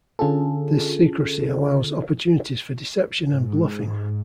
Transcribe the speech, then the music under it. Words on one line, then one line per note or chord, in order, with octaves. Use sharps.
This secrecy allows opportunities for deception and bluffing.
D3 C#4 F4 G#4 A4
G#2